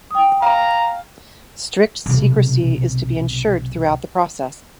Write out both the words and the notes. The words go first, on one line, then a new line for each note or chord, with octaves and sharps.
Strict secrecy is to be ensured throughout the process.
G5 D#6
F5 A#5
B1 C3